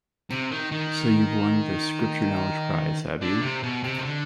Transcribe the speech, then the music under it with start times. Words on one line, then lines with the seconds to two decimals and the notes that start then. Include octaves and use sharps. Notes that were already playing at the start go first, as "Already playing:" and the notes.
So you've won the Scripture-knowledge prize, have you?
0.30 C3
0.51 D#3
0.72 D#3
3.21 D3
3.42 C3
3.63 B2
3.84 C3
3.99 D#3
4.05 D3